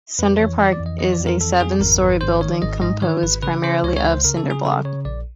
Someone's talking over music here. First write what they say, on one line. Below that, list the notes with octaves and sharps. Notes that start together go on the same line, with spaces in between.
Center Park is a seven-story building, composed primarily of cinder block.
F2 B4
E3 C#5
E3 D5
D5
F2
D#5
E3 D#5
D5
F2
A#4
F2 A4
F2 G#4
G#1 A#4
G#1 B4
G#1 C5
D#3 C#5
G#1 D#5
G#2 D#5
D#3 C#5
G#1 B4
C#3 B4
C#3 C5
C#2 C#5
C#5
C#2
C5
C#3 A#4
A4
C#3
G#4
C#3 A4
C#3 C#5
A#1 D5